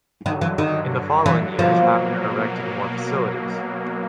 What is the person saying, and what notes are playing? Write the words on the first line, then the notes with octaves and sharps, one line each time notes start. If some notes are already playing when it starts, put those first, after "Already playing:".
In the following years, Haffner erected more facilities.
G2 D3 D#3 F#3
E3
D#3
E3
B2 F3 F#3 A#3